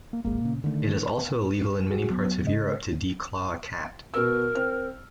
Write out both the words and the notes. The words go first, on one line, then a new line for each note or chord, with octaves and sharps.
It is also illegal in many parts of Europe to declaw a cat.
A#3
D1 G#1 G#3 A#3
A#2 C#3
D3 D#3 A3
F#4 G#4
D#2 F#3 B3
G#2 C#3 G#3 D#5
B2 B3 A#4 E6
C4 F6